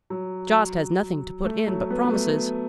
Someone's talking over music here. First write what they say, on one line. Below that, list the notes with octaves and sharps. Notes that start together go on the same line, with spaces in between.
Jost has nothing to put in but promises.
F#3
A3
F#3
B3
B3
A3